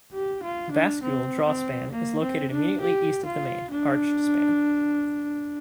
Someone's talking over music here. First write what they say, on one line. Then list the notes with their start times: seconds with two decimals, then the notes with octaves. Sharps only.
The bascule draw span is located immediately east of the main, arched span.
0.14 G4
0.43 F4
0.72 D4
1.03 C4
1.47 C4
1.91 A#3
2.22 C4
2.51 D4
2.81 G4
3.26 F4
3.71 D4